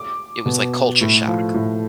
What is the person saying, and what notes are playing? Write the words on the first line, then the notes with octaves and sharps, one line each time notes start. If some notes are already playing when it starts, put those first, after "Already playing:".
it was, like, culture shock.
Already playing: D6
B2
A2
F3
A2